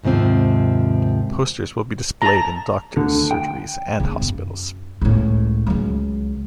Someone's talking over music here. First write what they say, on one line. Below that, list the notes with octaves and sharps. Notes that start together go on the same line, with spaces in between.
Posters will be displayed in doctors' surgeries and hospitals.
D#2 G#2 C3 F3 C4
A5 A#5
D2 D3
G5
C#3 B3
F#2
C#2 A2
C#2 F#3